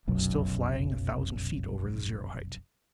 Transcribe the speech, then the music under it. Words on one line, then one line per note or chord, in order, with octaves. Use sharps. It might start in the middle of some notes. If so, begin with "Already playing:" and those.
I was still flying a thousand feet over the zero-height.
F1 B1 F#2